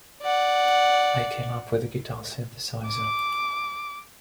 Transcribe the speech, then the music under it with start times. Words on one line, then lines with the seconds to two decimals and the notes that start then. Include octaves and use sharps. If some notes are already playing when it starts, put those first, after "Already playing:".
I came up with a guitar synthesiser.
0.22 D5 F#5
2.89 D6